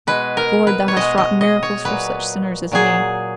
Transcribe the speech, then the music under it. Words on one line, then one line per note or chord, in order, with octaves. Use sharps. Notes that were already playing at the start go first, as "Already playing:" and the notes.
Lord, thou hast wrought miracles for such sinners as me!
B2 G#3 B4
A#4
B4
C#5
B2 G#3 D#5
D#5
D#5
C#5
A#2 F#3 B4
A#2 F#3 G#4